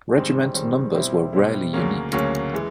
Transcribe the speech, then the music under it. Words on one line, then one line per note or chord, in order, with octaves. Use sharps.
Regimental numbers were rarely unique.
G#2 D#3 G3 C4
G#2 D#3 G3 C4
B2 G3 C4 E4
B2 G3 C4 E4
D2 C#3 F#3 A#3 C#4
D2 C#3 F#3 A#3 C#4
E3 G#3